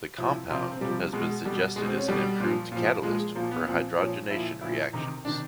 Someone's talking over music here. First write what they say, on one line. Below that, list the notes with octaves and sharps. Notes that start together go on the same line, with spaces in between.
The compound has been suggested as an improved catalyst for hydrogenation reactions.
C3 F3 E4
C3 F3 F4
C4
C4
C3 F3 G3
B2 G#3
B2 G3
B2 G#3
C4
C#4
B2 G3
A#2 F3
A#2 F3
A#2 F3 G#3
A#2 F3 A#3
B3
A#2 F3 C4
A#2 F3 C#4
F3 E4
A#2
A#2 F3 E4
C3 D#3 D#4
C3 D#3 D4